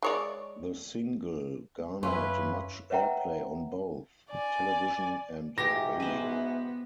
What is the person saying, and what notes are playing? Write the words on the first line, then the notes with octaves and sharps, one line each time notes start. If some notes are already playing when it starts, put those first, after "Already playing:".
The single garnered much airplay on both television and radio.
G#3 C#5 D5
F#2 C#4 E4 F4 B4
B4 C#5 E5 F#5 G5 A#5
D5 G#5
G#2 B2 E3 G4 A#6
B3 B4 C5